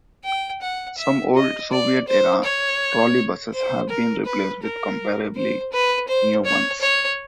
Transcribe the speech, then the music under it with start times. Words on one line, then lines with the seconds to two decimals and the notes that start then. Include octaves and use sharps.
Some old Soviet-era trolleybuses have been replaced with comparably new ones.
0.24 G5
0.62 F#5
0.97 E5
1.35 D#5
1.71 D5
2.08 C5
2.44 C#5
3.54 C5
3.89 A#4
4.25 B4
4.63 A#4
5.36 C5
5.73 B4
6.08 C5
6.45 C#5
6.81 C#5